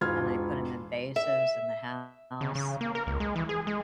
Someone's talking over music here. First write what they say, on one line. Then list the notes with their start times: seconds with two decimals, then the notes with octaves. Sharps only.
and I put 'em in vases in the house
0.01 E1 G#2 F4 B5 F6 G#6
1.16 E5
2.41 C#3
2.55 C#3
2.81 A#3
2.95 A#4
3.07 C#2
3.20 G#3
3.36 E3
3.49 G#4
3.67 G#3